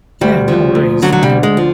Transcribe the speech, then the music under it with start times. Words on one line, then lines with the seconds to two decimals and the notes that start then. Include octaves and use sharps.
Yeah, no worries, and,
0.21 D2 G3
0.48 F3
0.75 D2
1.02 D3 F#3
1.12 F#3
1.23 G3
1.30 D2
1.43 G#3
1.57 F3